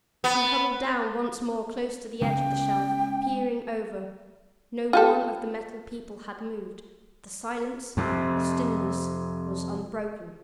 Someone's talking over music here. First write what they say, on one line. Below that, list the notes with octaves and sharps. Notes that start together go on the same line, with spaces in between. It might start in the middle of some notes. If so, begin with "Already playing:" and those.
He huddled down once more close to the edge of the shelf; peering over. No one of the Metal People had moved; the silence, the stillness, was unbroken.
B3
C#3 G#3 B3 G5
F4 G4 A4
F2 C3